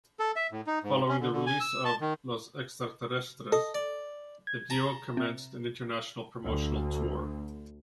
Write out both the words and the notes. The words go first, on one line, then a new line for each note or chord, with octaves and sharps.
Following the release of "Los Extraterrestres" the duo commenced an international promotional tour.
A4
E5
A2
D#4
G#2
C#4
D3
D3
G#5
E6
A5
D#3
A4 D#5
D5
G#6
A5 A#5
C3
D2